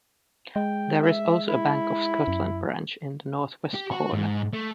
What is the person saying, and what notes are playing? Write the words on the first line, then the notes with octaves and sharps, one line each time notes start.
There is also a Bank of Scotland branch in the north west corner.
G#3 G5
E5
E4
F#2
G4
F#4
G#2
A3